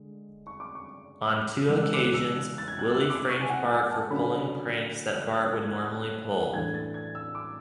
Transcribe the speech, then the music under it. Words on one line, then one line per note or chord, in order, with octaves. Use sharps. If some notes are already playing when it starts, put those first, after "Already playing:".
On two occasions, Willie frames Bart for pulling pranks that Bart would normally pull.
Already playing: D3 G#3
C#6
D6
C#6
C#3 E3 G#3 D6
F#6
E6
D6
E6
E6
A6
G#6
F#6
E6
D6
C#6
G#5
F#5
G#5
A5
D3 F#3 C#4 B5
F#6
E6
F#6
G#6
F#6
A2 E3 A3 D4 G#6
A6
G#6
E6
D6